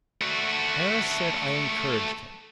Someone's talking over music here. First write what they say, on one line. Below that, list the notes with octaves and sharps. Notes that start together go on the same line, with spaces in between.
Harris said I encouraged him.
A3 F#4